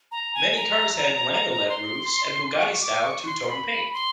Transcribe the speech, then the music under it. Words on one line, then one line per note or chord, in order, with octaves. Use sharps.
Many cars had landaulet roofs and Bugatti-style two-tone paint.
A#5
G#5
A#5
C6
D6
C#6
C#6
D6
C#6
C6
C6
B5
C6